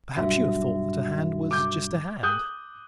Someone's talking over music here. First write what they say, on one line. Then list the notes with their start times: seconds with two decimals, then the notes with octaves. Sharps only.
Perhaps you have thought that a hand was just a hand.
0.17 B1 G2 F#4 E5
1.51 D6 G6
2.23 D#6 F#6 G6